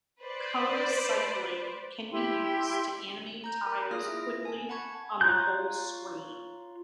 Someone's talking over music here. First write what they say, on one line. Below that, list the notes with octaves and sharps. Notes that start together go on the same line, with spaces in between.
Color cycling can be used to animate tiles quickly on the whole screen.
B4 C5 D5
E4 G4 G5 C6
A#5 G6
A#4 F#6
A#3 F4 G#4 D#6 F6
E4 E5 A#6
G#5 A5
F#5 A5 B5 C#6 G#6
F4 C#5 A#5 F#6 G6